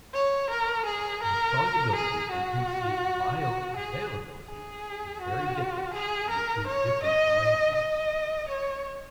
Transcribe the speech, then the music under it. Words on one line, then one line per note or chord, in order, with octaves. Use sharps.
The solubility and hence the bioavailability is very different in the two different arrangements.
C#5
A#4
G#4
A#4
G#4
F#4
F#4
G#4
G#4
F#4
G#4
A#4
C#5
D#5
D#5
C#5